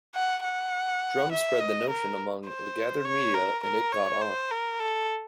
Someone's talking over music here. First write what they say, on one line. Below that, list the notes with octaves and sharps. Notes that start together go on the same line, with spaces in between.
Drum spread the notion among the gathered media and it caught on.
F#5
F#5
E5
D#5
A#4
C5
C#5
A#4
A#4
C#5
C5
A#4
A4